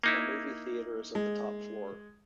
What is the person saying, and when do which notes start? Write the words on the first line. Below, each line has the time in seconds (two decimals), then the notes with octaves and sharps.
A movie theatre is at the top floor.
0.03 A#3 D#4 E4
1.15 G#3